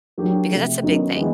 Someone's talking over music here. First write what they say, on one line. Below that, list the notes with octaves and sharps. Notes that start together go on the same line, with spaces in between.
because that's a big thing.
F#3 A#3 D4 G4
C3 F3 A3
F#2 D#3 F#3 B3 D#4
E3 G#3 B3 D#4 G#4